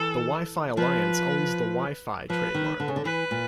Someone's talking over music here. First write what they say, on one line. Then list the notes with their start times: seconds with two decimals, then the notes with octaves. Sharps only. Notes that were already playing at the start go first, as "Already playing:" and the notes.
The Wi-Fi Alliance owns the "Wi-Fi" trademark.
Already playing: E3 A4
0.77 F3 B4
2.30 F3 B4
2.54 D#3
2.80 D3
2.88 C#3
2.96 D3
3.05 E3 B4
3.31 A#2